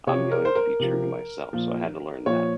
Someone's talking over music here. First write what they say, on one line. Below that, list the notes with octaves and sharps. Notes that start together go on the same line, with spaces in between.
I'm going to be true to myself, so I had to learn that.
C3 F3 C#5
A#4
C5
A#4
C3 F3
A#2 F3
A#2 F3 C#5